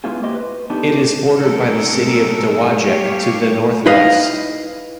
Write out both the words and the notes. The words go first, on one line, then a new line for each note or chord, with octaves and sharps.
It is bordered by the city of Dowagiac to the northwest.
G#3 B3 C#4 E4 F4 G#4
A#3 F#4 G4 C5 D#5 E5
B4
A3 B3 D4 D#4 G4
C3 F#3 G#3 A3 A4 A#4
G3 A3 G4 C#5 F5
D#4 E4 B4 D#5 F5